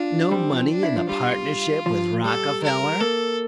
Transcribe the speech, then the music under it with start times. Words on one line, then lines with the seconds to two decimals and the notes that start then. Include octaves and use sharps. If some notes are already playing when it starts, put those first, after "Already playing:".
"No money in a partnership with Rockefeller?"
Already playing: D4 F4
0.31 G3 C4
0.51 F3
0.70 D4
0.83 E4
0.96 F3
1.09 G3 F4
1.86 F3
2.24 G3 A4
2.63 A#4
3.00 A#3 A4